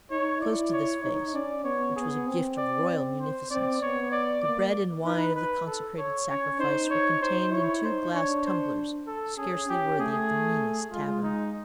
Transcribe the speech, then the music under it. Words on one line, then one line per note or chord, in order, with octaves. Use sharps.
Close to this vase, which was a gift of royal munificence, the bread and wine of the consecrated sacrifice were contained in two glass tumblers scarcely worthy of the meanest tavern.
D#4 C#5
E4 D5
C#5
D#4 C#5
C#4 D5
B3 C#5
B3 G#4
C4
D5
C5
C4 D5
B3 C#5
D5
A#3 D5
D#4 B4
B4
A4
C#5
C#4 C#5
D#4 C5
C#5
D#4 C5
E4 C#5
D#4 C5
D4 C#5
C5
A4
C#4 G#4
C#4 G4
A3 G#4
G#3 F4
D#4